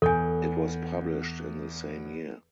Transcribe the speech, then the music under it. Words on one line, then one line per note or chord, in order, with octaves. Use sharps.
It was published in the same year.
E2 A4 G#5 G6